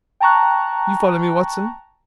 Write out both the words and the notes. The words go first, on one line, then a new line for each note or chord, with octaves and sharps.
You follow me, Watson?
G5 A5 A#5 C#6 F#6